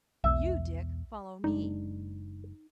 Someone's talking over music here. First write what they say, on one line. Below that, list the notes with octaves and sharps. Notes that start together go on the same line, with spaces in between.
You, Dick, follow me.
E1 B1 E2 E5
F#1 G#3 D4 D#4